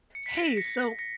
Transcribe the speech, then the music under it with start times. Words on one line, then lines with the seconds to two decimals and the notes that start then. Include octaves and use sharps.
Hey, so,
0.15 C#7
0.26 B6
0.36 A#6
0.47 B6
0.57 A#6 C#7
0.99 A#6 C#7